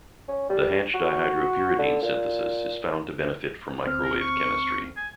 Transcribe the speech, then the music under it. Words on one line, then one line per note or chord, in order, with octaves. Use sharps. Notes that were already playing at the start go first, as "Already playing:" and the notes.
The Hantzsch dihydropyridine synthesis is found to benefit from microwave chemistry.
C#4
G3
F#4
D3
A#2
D2 C4 F6
A#4
C#6
G#5